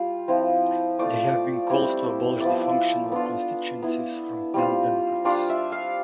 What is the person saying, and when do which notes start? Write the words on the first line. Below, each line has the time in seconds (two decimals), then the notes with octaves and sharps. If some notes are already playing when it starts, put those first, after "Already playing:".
There have been calls to abolish the functional constituencies from pan democrats.
Already playing: G3 F4
0.28 F3 C4 E4
0.99 A3 C4 F4 D5
1.70 G3 C4 E4
2.40 F3 B3 E4 D5
3.12 B3 D4 F4
3.82 B3 E4
4.54 G3 C4 F4
5.25 G3 D4 F4 D5
5.49 E5
5.72 F5